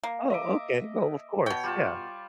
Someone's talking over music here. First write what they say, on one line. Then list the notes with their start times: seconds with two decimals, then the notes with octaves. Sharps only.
Oh, okay. Well, of course, yeah.
0.03 A#3
0.30 D#5 E5 D6
1.46 B2 C#5 G5
1.64 G3 F4 A5